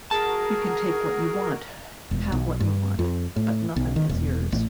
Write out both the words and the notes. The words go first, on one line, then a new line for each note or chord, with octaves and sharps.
You can take what you want, have what you want, but nothin' is yours.
F#4 G#4 A#4 A5
E1
B1
G2
F2
A2
B1
D#3
E1
A1